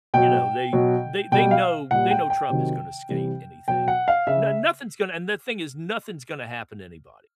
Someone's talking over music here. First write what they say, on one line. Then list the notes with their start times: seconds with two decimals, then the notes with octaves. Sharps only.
you know, they they they know they know Trump is gonna skate anything. No nothing's gonna and the thing is, nothing's gonna happen to anybody.
0.14 B2 F#3 G5
0.73 B2 F#3
1.32 B2 G3 G5
1.51 F5
1.91 A#2 G3 F#5
2.11 G5
2.30 G5
2.50 C3 D#3 F#3
3.09 C3 E3 G3
3.68 B2 F#3 G5
3.88 F#5
4.08 F5
4.27 C#3 E5